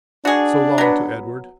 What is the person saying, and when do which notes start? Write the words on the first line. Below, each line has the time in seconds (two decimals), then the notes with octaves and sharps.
"So long," to Edward.
0.25 D4 F#4 G#4
0.78 F#3 B3